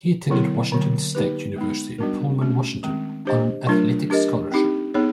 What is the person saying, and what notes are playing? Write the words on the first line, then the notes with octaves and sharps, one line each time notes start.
He attended Washington State University in Pullman, Washington, on an athletic scholarship.
D3 F#3 B3 E4 A4
D3 F#3 A#3
A#3 D#4 G4 B4
G#3 B3 D#4
G3 B3 D4 F#4 A#4
A3 C#4 F#4
D#3 G#3 C4
D4 G4 C5 D#5
F#3 A3 D4 F4 A#4
D4 G4 A#4 D#5
C4 D#4 G4
B3 D#4 G#4 C#5